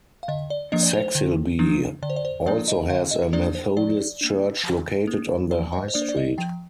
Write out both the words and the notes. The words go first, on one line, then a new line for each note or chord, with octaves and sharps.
Saxilby also has a Methodist church located on the High Street.
F5
D3 D#5
D5
F3 A#3 D4 D#5
D5
C5
D3
F3 A#3 D4
D3 D5
C5
D5
C5
F3 A#3 D4 D5
D#5
D3 F5
D#5
F3 A#3 D4 D5
C5
F3 D5
A#3 D4
F3
A#3 D4
F3 D5
D#5
C5
A#3 D4 D5
C5
D5
D#5
F3 G5